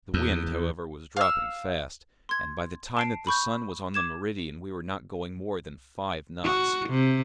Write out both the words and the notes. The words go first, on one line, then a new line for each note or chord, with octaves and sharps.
The wind, however, was dropping fast; and by the time that the sun was on the meridian we were not going more than five knots.
E2
F5 E6
C6 G#6
A5 C7 D7
B5 C#6 G6
D6 G#6 E7
F#4
C3